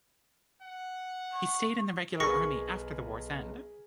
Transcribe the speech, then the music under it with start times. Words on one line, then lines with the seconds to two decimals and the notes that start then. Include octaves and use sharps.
He stayed in the regular army after the war's end.
0.62 F#5
1.32 C#6
2.20 B1 G#4 A#4 B4 C#6 A#6 C#7